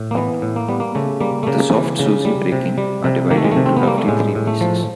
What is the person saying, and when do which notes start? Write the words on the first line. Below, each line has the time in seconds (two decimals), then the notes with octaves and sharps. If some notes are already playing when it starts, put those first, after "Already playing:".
The soft susy breaking are divided into roughly three pieces.
Already playing: A2
0.11 A#3
0.16 E3 B3
0.42 A2
0.56 A#3
0.68 G3 B3
0.80 A#3
0.95 C#3 A3
1.20 G3 A#3
1.43 A3
1.47 C#3 A#3
1.74 E3
1.99 C#3
2.25 G3
2.52 C3
2.78 G3
3.04 C3
3.31 D#3 A#3
3.37 A3
3.44 G#3
3.52 C3 A3
3.66 C4
3.77 B3
3.83 G3 A#3
3.98 A3
4.08 A2 G#3
4.35 A2
4.47 A3
4.61 F3